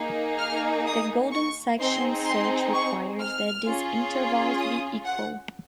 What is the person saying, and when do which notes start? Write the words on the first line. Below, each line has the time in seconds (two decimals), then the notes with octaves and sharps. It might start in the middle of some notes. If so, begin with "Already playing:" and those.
The golden-section search requires that these intervals be equal.
Already playing: A#3 D#4 G#4
0.38 F6
0.85 D#6
1.32 C#6
1.78 C4 D#4 G#4 C6
2.26 C6
2.73 C#6
3.19 F6
3.66 C#4 F4 G#4
4.59 D#6
5.05 F#5